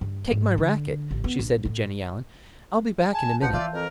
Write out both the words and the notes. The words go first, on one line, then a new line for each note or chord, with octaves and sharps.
"Take my racquet," she said to Jennie Allen; "I'll be back in a minute."
G2
G#2
D3
A1
B3
A#1
A2
G#5 A5
B1 B2 F3 C#4 F#5 A5 G6
E3 F3 F4 D5 E5
F2 A#4